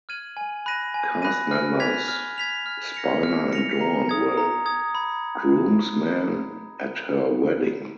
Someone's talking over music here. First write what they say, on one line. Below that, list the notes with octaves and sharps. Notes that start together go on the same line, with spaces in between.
Cast members Spiner and Dorn were groomsmen at her wedding.
F6 G#6 D#7 F#7
G#5
B5 F#6 A#6 D#7
G#5
B5 F#6 A#6 D#7
F6
G#6 B6 F7
F6
G#6 B6 F7
F6
A#6 C#7 F7
F6
A#6 C#7 F7
A#5
D#6 G#6
A#5
D#6 G#6
B5